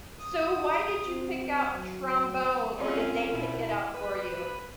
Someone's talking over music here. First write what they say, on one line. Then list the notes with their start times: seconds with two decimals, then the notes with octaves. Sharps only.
So why did you pick out trombone or did they pick it out for you?
0.19 D#6
1.05 C4
1.70 F#3
2.77 C4 C#4 F4
3.31 B2 E4
3.94 B4